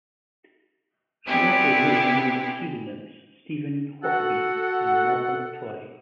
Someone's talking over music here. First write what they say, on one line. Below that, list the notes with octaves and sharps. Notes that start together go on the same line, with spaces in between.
She also wrote under the pseudonyms Stephen Hockaby and Malcolm Torrie.
B3 C4 D4 E4 G4 G#4
F#4 A4 F#5